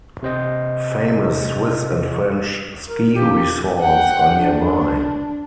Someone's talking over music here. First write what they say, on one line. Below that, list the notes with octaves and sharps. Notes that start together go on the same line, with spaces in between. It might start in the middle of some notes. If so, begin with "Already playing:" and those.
Famous Swiss and French ski resorts are nearby.
C3 C5 D#5
A#4
A#3 G4
F#5 G5
D4